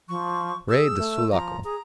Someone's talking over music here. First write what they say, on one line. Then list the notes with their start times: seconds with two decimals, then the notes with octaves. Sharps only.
Rey de Sulaco!
0.09 F3 C#6
0.69 G#4 E6
0.98 A3
1.32 F3 A#5
1.64 G#4 A#5